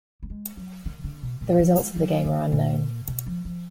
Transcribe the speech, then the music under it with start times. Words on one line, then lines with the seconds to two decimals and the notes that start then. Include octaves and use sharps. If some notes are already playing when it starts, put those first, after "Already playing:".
The results of the game are unknown.
0.23 A#3
0.30 G#3
0.57 F#3
0.86 D#3
1.04 D3
1.23 B2
1.41 A#2
1.59 F3
1.78 G#3
1.96 F#3
2.24 D3
2.52 A#2
3.08 B2
3.27 F3
3.45 F3